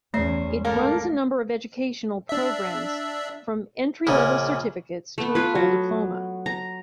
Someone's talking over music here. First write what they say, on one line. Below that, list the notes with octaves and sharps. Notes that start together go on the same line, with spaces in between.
It runs a number of educational programmes, from entry-level certificates to a full diploma.
E2 A3 C#4 C5 E5
G#1 A#3 A4 A#4
D4 E5
A#1 C#3
A3 B3
F4 B4
F#3
A#5